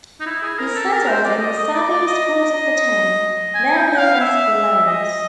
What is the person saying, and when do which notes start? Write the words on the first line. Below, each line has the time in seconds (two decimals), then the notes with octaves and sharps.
He settled in the southeast part of the town, now known as Clarence.
0.20 D#4
0.26 E4
0.43 G#4
0.59 A#4
0.75 A4
0.92 A#4
1.09 C5
1.24 D5
1.41 D#5
1.58 D#5
1.74 D5
1.90 D5
2.07 D#5
3.54 G#5
3.77 G5
3.98 F5
4.21 E5
4.86 D#5